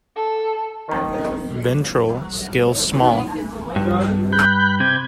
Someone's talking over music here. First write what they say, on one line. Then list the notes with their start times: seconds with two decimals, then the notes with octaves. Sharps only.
Ventral scales small.
0.16 A4
0.88 D#3
3.76 G2
4.33 B5 F#6 G6
4.80 C3 G6 G#6